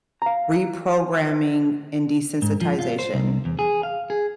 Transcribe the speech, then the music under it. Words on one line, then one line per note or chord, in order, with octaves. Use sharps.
reprogramming and desensitization.
F5 A#5
G#2
F3
F4
C5
C2
E2
G#4
F5
G#4